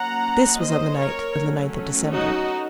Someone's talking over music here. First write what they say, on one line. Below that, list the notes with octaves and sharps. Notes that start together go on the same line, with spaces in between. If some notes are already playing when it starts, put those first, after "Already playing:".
This was on the night of the ninth of December.
Already playing: F#3 A#3 C#4 F#5 A#5
C5 D#5
A#4 C#5
F#3 A3 C#4
D#4 F#4